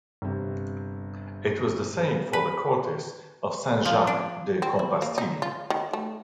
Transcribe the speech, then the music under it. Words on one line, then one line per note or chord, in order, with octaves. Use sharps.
It was the same for the Cortes of Saint-Jacques-de-Compostelle.
G1 C3
B4
F3
D4
C4
E4
A#3
D#4
F4
D#3
A3